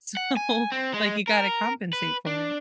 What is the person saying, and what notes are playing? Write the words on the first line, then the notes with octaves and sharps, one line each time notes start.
so, like, you gotta compensate for it.
F#5
G#5
C4
G#3
A#4
B4
D4